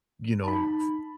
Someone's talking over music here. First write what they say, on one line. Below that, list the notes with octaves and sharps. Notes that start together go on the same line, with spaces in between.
you know, f
D#4 A5 B5